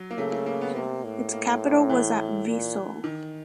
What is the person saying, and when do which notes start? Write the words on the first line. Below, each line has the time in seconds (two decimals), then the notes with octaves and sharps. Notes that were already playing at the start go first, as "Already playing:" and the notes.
Its capital was at Vesoul.
Already playing: F#3
0.11 A#3
0.18 C#3 A3
0.33 A3
0.46 A#3
0.61 B3
0.76 C3 A#3
1.04 A2
1.33 A#3
1.89 E3
2.47 A#2
3.04 D#3